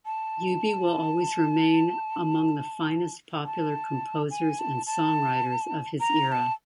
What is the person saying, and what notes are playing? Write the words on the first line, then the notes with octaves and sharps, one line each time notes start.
Eubie will always remain among the finest popular composers and songwriters of his era.
A5
A5
G#5
A5
A5
A#5
A#5
A5